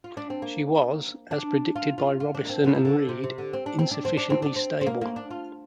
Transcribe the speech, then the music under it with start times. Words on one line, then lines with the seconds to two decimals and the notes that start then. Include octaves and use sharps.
She was, as predicted by Robison and Reed, insufficiently stable.
0.04 F4
0.17 D4
0.30 C4
0.42 A#3
1.31 D4
1.76 F4
1.98 F4
2.20 F4
2.35 D4
2.45 A#3
2.50 C4
2.64 D3
2.75 F3
2.85 D3
3.09 C3
3.24 C3
3.38 D3
3.53 C4
3.66 D4
3.79 C4
3.91 D4
4.05 C4
4.17 D4
4.30 C4
4.42 D4
4.56 C4
4.81 C4
4.86 A#3
5.01 A#3
5.16 D4
5.31 F4